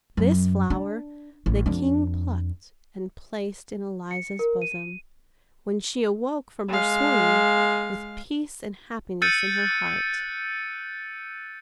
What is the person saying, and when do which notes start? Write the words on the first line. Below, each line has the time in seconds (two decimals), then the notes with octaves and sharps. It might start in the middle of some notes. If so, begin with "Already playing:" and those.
This flower the King plucked and placed in Eliza's bosom, when she awoke from her swoon with peace and happiness in her heart.
0.17 F#2
0.70 D4
1.46 A1
1.66 F2 D4
4.11 C#7
4.39 A#4
4.62 D#7
6.69 G#3 F5
9.22 E6 F#6 G6 A6 C#7 D#7